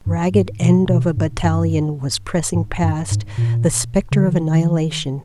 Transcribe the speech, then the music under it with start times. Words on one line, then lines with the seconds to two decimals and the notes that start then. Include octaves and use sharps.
A ragged end of a battalion was pressing past, the spectre of annihilation.
0.06 G2
0.34 G#2
0.61 B2
0.90 B2
1.17 G#2
1.44 G2
2.54 G#2
2.83 G2
3.11 G#2
3.38 A#2
4.11 C#3
4.22 D#3